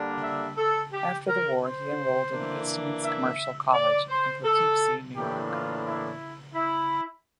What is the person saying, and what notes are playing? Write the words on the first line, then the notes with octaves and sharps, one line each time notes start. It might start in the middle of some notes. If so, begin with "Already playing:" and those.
After the war he enrolled in Eastman's Commercial College in Poughkeepsie, New York.
Already playing: D3 G3 A#3 D4
E5
A4
G4
A#4
C5
E3 A#3 D4
E5
D5
C5
A4
A2 E3 A#3 D4 G4
F4
E4
E4